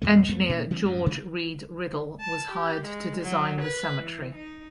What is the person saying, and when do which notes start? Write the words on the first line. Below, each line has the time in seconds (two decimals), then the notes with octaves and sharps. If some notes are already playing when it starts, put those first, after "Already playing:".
Engineer George Read Riddle was hired to design the cemetery.
0.02 E2 G2 A#2 A3
0.29 C2 F2 A3 B3
0.49 A#2 A#3 C4 C#4
0.71 E3 G3 B3 C#4
0.85 F#2 A2 C3
1.06 F1 C3 D#3 G#3
2.19 A5
2.51 G4
2.84 G#3
3.21 F#3
3.60 B4
3.98 E3
4.35 D#4